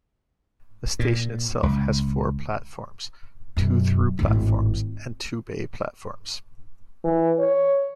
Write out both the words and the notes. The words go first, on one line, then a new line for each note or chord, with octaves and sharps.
The station itself has four platforms - two through platforms and two bay platforms.
A#2
C#2
F#2 B2
G#1 A2
E3
C#5